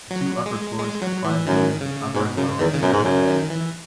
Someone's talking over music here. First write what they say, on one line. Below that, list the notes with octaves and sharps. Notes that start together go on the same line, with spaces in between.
The two upper floors have five windows with upper and lower decorative edges.
F#3
G#3
G#3
F#3
E3
F#2 D#3
C#3
G#2 B2
F#2 C#3
E2 D#3
C#3
F#2 B2
G#2
B2
F#2 C#3
D#3
E3